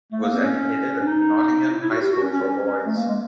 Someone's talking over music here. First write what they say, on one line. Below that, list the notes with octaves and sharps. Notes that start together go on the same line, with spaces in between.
He was educated at Nottingham High School for Boys.
A3
A#3
C4
C#4
D4
D#4
E4
E4
F#4
G4
F#4
C#4
C#4
C#4
C#4
A3
A#3
G#3